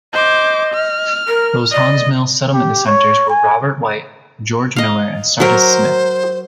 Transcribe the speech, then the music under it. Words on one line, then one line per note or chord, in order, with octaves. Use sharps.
Those Haun's Mill settlement dissenters were Robert White, George Miller, and Sardis Smith.
C5 D#5 D6
F6
A#4
D5 D#5
G4
C#5
G#5
D#5 F5
F#3 A#4 C5